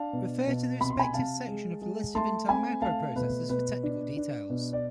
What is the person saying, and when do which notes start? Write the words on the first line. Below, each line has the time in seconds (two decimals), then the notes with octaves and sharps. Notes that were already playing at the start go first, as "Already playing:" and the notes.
Refer to the respective section of the list of Intel microprocessors for technical details.
Already playing: D4 F5 A5
0.13 B2
0.47 B2
0.80 C3 B5
0.90 C6
0.99 G#5 B5
1.14 C3 F5 A5
1.48 G#3
1.82 G#3
2.15 A3 A5 C6
2.48 C4 G#5 B5
2.82 A3 F5 A5
3.16 B2 B4
3.49 B2 B4
3.83 D4
4.17 D4
4.50 B2
4.73 D5